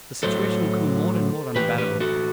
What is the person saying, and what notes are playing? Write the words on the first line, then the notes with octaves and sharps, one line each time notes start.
The situation grew more and more unbearable.
A2 F#3 A4 C5
A2 E3 G4 B4
G4 B4
F#4 A4